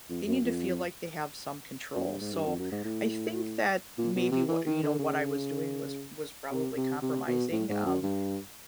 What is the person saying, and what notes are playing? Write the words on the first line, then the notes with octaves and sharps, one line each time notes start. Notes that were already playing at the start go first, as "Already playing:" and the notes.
they need to feel like they have some control, so I think that maybe what, you know, what I was doing was was probably compromising, um,
F2
F#2
F2
F#2
G2
G#2
G2
F2
F#2
G#2
A2
A#2
B2
C3
E3
D#3
D3
C#3
C3
C3
C3
B2
A2
G#2
F#2
G2